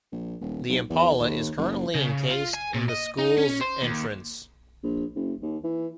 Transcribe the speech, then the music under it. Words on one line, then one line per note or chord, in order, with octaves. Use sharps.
The impala is currently encased in the school's entrance.
A#1
D#1
B1
E2
D#2
F#1
C#3
F4
G#5
A#2
D#5
D#4
C#4
C5
D#2
A#1
F#1
D#2
E3